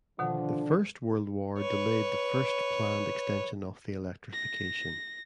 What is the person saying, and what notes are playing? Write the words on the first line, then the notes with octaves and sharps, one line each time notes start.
The First World War delayed the first planned extension of the electrification.
B2 D3 D#3 F3 D4 F#5
B4 C#5
A#6